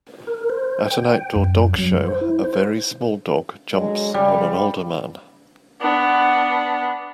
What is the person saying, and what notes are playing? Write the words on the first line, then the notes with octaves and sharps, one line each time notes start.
At an outdoor dog show, a very small dog jumps on an older man.
A#4
C5
G5
F#2
F#3
C5
E4
C5
D3 F#3 G#3
C#3 G3
B3 D4